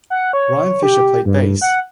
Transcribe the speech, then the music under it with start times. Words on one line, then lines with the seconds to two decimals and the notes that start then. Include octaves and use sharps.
Ryan Fisher played bass.
0.10 F#5
0.33 C#5
0.83 G4
1.25 G2
1.61 F#5